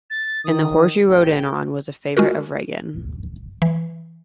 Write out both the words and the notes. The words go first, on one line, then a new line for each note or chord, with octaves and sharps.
"And the horse you rode in on" was a favorite of Regan.
A6
D#3 D#6
A1 G5
G#3 F4 F#4 A#4
E3